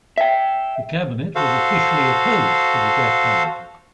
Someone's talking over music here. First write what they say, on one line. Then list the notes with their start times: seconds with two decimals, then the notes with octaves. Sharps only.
The cabinet was officially opposed to the death penalty.
0.18 E5 G5
1.36 F#4 A4 C5 F5